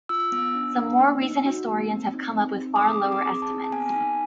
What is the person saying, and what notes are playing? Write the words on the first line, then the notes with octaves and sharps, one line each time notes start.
Some more recent historians have come up with far lower estimates.
F4 E6
B3
D4
D4
A#3
D#4
F#4
A#3
C4
D#4
C4
D#4
D6
G#4 D#6
C4
D6
G#4
A5
C4
A5
B3 G#5
D#4